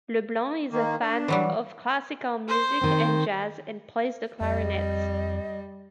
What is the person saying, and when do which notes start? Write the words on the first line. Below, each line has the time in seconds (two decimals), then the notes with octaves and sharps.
Leblanc is a fan of classical music and jazz and plays the clarinet.
0.71 D#3 A#3
1.01 D4
1.28 E3 F#3 G3
2.48 C5
2.81 D#3 C4
4.41 F2 G3 D#5